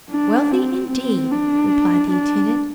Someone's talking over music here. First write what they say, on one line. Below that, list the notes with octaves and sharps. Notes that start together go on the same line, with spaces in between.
"Wealthy, indeed!" replied the intendant.
D4
C4
C4
D4
D4